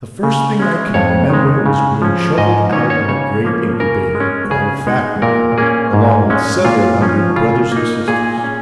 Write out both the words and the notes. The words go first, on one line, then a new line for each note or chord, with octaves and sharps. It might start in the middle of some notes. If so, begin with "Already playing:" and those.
The first thing I can remember was being shoveled out of a great incubator, called a factory, along with several hundred brothers and sisters.
C#3
G#3 C#4
F2 C#5
D#3 G#3
C#3
F3 C#4
G#2 D#5
D#3 A#3 C#4 C#5
C#5
C#3 C#5
F3 A#3 C#4
C#3 A#4
G#3
C#4
C#3 G#4
G#3 D#4
A#2 A#4
A#3 C#4 G#4
G#2
G#3 C#4
A#2 F4
F3 C#4
C#3 F4
A#3 D#4
A#2 G#4
C#4